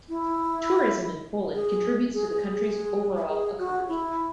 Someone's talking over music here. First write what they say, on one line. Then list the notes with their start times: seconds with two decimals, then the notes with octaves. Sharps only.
Tourism in Poland contributes to the country's overall economy.
0.09 E4
1.54 G#4
2.13 G#4
2.32 G#4
2.51 G#4
3.29 G#4
3.59 F#4
3.88 E4